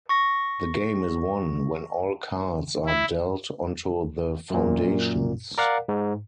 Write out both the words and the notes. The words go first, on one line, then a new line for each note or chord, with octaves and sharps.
The game is won when all cards are dealt onto the foundations.
C#6 A#6
E4
F#2 A#2
A#4 D5 F5 F#5
G#2